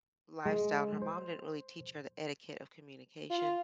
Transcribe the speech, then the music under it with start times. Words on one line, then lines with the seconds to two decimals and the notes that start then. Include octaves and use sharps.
lifestyle, and her mom didn't really teach her the etiquette of communication.
0.46 G#3
1.02 C5
3.30 F4